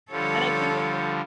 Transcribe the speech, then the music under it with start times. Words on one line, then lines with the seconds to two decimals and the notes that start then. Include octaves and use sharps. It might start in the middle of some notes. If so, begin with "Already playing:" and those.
And I think
0.11 D3 F3 G3 A4 C#5